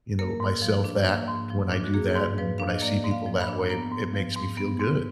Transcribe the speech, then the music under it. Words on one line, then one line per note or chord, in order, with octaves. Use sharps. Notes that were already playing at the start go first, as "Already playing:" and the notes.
you know, myself that when I do that and when I see people that way, it makes me feel good.
A#3 A#4
G#2
F3
D4
A#3
G#2
F3
D4
F#4
A#3 G#4
G#2
F3 B4
D4 F5
D#5
A#3 D5
G#2
F5
F3
B5
D4
B3 A#5
G#2
F3
G#2
B3
G#2